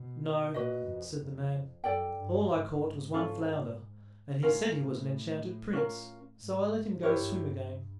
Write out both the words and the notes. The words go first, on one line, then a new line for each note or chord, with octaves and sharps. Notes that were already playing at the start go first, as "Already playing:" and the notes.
"No," said the man; "all I caught was one flounder, and he said he was an enchanted prince, so I let him go swim again."
Already playing: B2
A#2 F#4 B4 D#5
F2
F2
F#2 A4 D5 G5
G2
G#2
G#2
C#4 F4 A4
A2 C#4 F4 A#4
A2
C#4 F4 A#4
G#2
G2 E4 G4 A#4 C#5